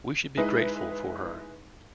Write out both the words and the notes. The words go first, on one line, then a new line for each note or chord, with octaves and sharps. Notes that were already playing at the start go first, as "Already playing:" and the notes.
We should be grateful for her.
G#3 D#4 E4 B4